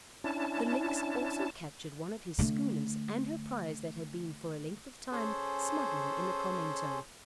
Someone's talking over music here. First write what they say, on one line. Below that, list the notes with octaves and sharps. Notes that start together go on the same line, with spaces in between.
The Lynx also captured one of his schooners, and her prize that had been for a length of time smuggling in the Carmento.
C#4 D4 E4 A5
D3 A3
C#4 G#4 A4 C5